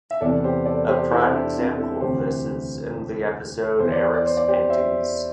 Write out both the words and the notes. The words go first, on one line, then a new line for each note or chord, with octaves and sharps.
A prime example of this is in the episode "Eric's Panties".
E5
E2 C3 E3 A4 D5
G4 C5
A4 D5
G4 C5
E4 A4
D4 G4
C4 E4
E4 A4
D2 C3 E3 G4 C5
E2 E3 C5
D5
C5
D5
C5
D5
G4 C5
C5 E5